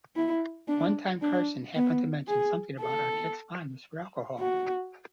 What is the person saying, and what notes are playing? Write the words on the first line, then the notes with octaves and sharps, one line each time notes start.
One time Carson happened to mention something about Arquette's fondness for alcohol.
E4
D4
D4
B3
G#4
A4
F#4